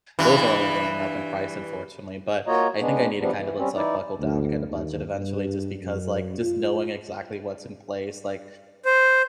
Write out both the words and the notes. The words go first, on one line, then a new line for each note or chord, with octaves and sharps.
those are only going up in price, unfortunately. But I think I need to kind of let's like buckle down and get a budget eventually just because like just knowing exactly what's in place, like,
G2 E3
A#3 F4 F#4 C#5 D#5 A#5
G#3 B3 D4
E3 F3 G3 B3 D4
E3
G3 C4 C#4
E3 D#4 E4 D5
D2
D#2
G2
F#2
F4
C5